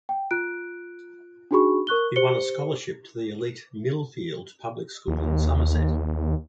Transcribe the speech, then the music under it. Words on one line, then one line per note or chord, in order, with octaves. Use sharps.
He won a scholarship to the elite Millfield Public School in Somerset.
G5
F4 F#6 D7
D4 D#4 F#4 G#4 B5 C#6
A#4 C#6 F#6 G7
G4 C5 C#7 G7
D#2